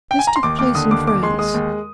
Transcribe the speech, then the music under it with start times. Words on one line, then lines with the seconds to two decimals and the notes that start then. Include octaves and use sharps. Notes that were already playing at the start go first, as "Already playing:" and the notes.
This took place in France.
0.11 G5
0.19 G#5
0.27 A#5
0.36 C6
0.43 D#2 D6
0.59 D#2 D6
0.75 D3 D#6
0.91 D#2 D6
1.07 D#2 D6
1.23 G#3 C6
1.39 G#3 D#6
1.54 D#2